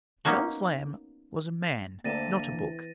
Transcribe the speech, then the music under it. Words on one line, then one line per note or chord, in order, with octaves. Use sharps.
Charles Lamb was a man, not a book.
A#3 B3 C#4 D#4 F#4
D2 A#3 C4 E5 A5 A6 A#6 D#7
E3